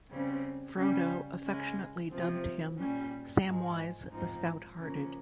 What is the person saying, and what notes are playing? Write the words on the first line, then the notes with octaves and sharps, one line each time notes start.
Frodo affectionately dubbed him "Samwise the stouthearted".
C#3 G3 C4
C#3 G3 C#4
C#3 G#3 C#4
C3 F3 C4
A#2 G3 C#4
G#2 F3 G#3
G#2 F3 C4 D#4
C#3 F3 A#3